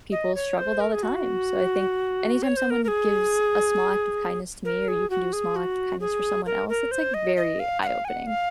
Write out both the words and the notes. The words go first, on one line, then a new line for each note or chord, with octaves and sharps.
people struggled all the time, so I think, anytime someone gives a small act of kindness to me, or you can do a small act of kindness for someone else, it's like very eye-opening.
D#5
C#5
C5
A#4
G#4
F#4
C#5
C5
A#4
A#4
G#4
A#4
G#4
F#4
G#4
F#4
G#4
A#4
A#4
C5
D#5
D#5
F5
F#5
F5
G#5
F#5
F5